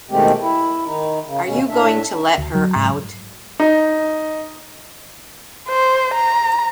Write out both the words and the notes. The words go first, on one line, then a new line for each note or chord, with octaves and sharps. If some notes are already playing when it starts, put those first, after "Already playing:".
Are you going to let her out?
B2 D#3 G#3 A3 C4 G4
E4
D#3 D#4
C#3
D#2 B2 C#4
A2 D4 E5
D2
F#3
G#2
D#4
C5
A#5